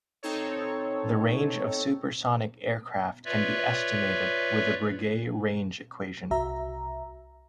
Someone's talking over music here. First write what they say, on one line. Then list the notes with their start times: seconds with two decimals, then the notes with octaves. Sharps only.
The range of supersonic aircraft can be estimated with the Breguet range equation.
0.23 C4 D#4 A4 C#5
3.25 F4 B4 C#5 D5 E5
6.31 C2 F#4 E5 A#5